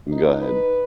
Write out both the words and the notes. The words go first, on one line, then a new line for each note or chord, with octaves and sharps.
Go ahead.
D#4
B4